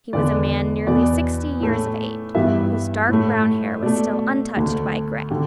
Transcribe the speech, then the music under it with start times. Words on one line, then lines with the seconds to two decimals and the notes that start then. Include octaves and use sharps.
He was a man nearly sixty years of age whose dark brown hair was still untouched by gray.
0.13 E2 D3 B3 D5
0.87 E2 B2 B3 D5
1.60 A2 A3
2.35 G2 E3 G3 B3 E5
3.09 A2 A3
3.82 B2 A3 D5
4.56 D2 D3 A3
5.30 D3 G4